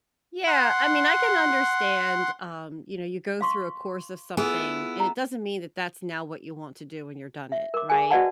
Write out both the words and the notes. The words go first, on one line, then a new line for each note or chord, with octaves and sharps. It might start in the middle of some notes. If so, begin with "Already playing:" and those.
Yeah, I mean, I can understand, um, you know, you go through a course of something, and it doesn't mean that that's now what you want to do when you're done it, right?
F#5 C6
F5 C6 C#6
B3 E4 F4 G#4 A4 G#5
A#5
E5
A#4 D6
G#4 G#5
F#4 B4 D5 D#5 F#5 A5